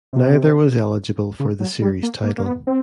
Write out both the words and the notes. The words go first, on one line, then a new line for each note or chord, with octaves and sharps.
Neither was eligible for the series title.
C3
C#3
F#3
G3
A#3
A#3
A#3
B3
C4